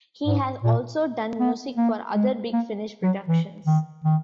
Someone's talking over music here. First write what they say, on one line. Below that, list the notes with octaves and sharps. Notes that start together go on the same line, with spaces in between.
He has also done music for other Big Finish productions.
G#2
A#2
B3
A#3
G#3
A#3
F#3
E3
D#3
D#3